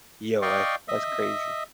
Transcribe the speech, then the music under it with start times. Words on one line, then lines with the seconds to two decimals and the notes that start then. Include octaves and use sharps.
yo, that's that's crazy.
0.42 D5 D#5 F5 G5 C#6
0.88 D#5 E5